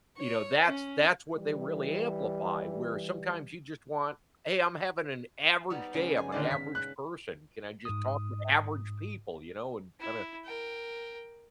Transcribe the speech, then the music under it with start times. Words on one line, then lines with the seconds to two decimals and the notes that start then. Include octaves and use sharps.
you know, that's that's what they really amplify, where sometimes you just want, "Hey, I'm having an average day, I'm an average person, can I just talk with average people," you know, and kinda
0.19 C#5
0.66 C#4
1.36 E3 G3
5.70 G3 B3 D#4
5.94 C#3 G3 G#3
6.17 G#5
6.32 D3 D#3 D5 F5
6.51 B6
6.75 C#3 F#6
7.85 G#2 D#6
10.00 E4
10.44 A#4 G5